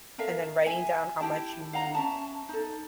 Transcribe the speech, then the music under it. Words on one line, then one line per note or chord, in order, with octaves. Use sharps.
and then writing down how much you need
A4 A#4 E5 F5
E5 G#5
E4 G4 A5
F5 F#5 A#5
C#4 E5 A5
D#4 A4